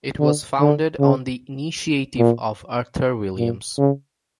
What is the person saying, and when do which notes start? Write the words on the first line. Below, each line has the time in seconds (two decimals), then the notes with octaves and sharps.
It was founded on the initiative of Arthur Williams.
0.19 D3
0.60 D3
0.99 C#3
2.18 A#2
3.38 A#2
3.78 C#3